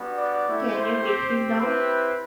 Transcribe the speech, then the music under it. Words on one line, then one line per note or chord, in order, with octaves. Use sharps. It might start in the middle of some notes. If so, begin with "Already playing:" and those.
Can you get him down?
Already playing: G3 B3 D4 F#4
D5
A3 E4 G4
C5
C4 G4
C4 E4 G4 B4